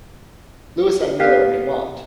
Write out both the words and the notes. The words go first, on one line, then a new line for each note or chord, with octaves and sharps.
Louis N. Miller in command.
B3 G4 F5